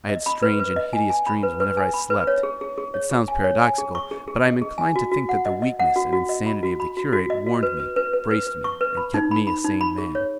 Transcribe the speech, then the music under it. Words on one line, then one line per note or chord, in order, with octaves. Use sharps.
I had strange and hideous dreams whenever I slept. It sounds paradoxical, but I am inclined to think that the weakness and insanity of the curate warned me, braced me, and kept me a sane man.
D#5
B5
B4
B4
D#5
G#5
G#5
B5
B4
B4
G#5
B5
B4
C#5
G#4
G#4
G#4
C#5
G#4
G#5
C#5
G#5
G#4
C#6
G#4
G#4
D#5
G#4
G#5
F#4
F#4
F#5
D#5
D#5
F#5
F#4
F#4
D#5
B5
F#4
B5
F#4
F#4
D#5
F#4
B4
B4
B4
B4
B4
B4
C#6
B4
B5
D#4
B5
B5
D#4
B5
G#4
C#5